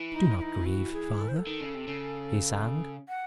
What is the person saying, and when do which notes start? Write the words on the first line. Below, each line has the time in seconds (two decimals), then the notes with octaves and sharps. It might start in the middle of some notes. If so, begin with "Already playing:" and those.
"Do not grieve, father," he sang.
Already playing: E3
0.12 D#4
0.39 E4
0.42 D#4
0.66 F#4
0.93 G#4
1.20 A4
1.28 C5
1.37 A4
1.47 D#3
1.60 C#3
1.75 C3
1.88 C#3
3.09 F#5